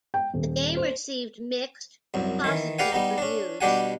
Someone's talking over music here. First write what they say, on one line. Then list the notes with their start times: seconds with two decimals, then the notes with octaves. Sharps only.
The game received mixed to positive reviews.
0.14 G5
0.34 D#1
0.77 C5
2.14 C2 F#2
2.44 D#3 E3
2.79 G4 B4 D5 F5 F#5 G#5
2.92 G3 B3 D#4
3.18 C#4 D4
3.61 B2 G3 D4 G4 F#5 G#5